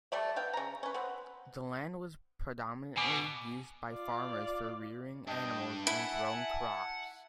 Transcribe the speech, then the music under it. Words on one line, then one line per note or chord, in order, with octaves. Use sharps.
The land was predominantly used by farmers for rearing animals and growing crops.
G3 A3 D5 E5
B3 F5 G5
C#3 A#5
C#4 B4
B3 C4
B2 G#5 D6
F4 D5
G2 D4 D#5 G5
E4 E5 F#5 G#5 A5